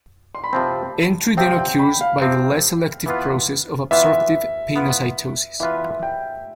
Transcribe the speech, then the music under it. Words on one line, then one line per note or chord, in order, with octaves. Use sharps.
Entry then occurs by the less selective process of absorptive pinocytosis.
C6
B5
C3 F3 C4 A5
C3 F3 C4 G5
G5
B5
F5
C3 F3 C4
E3 B3 F4 B4
E3 B3 F4 B4 E5
E3 B3 F4 B4
E3 B3 F4 B4 E5
G5